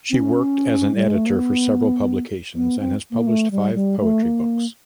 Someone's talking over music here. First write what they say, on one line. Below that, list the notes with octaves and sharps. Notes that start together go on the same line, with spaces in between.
She worked as an editor for several publications and has published five poetry books.
C4
C#4
G3
G#3
A3
A#3
B3
B3
C4
A#3
A3
G3
G3
A3
A#3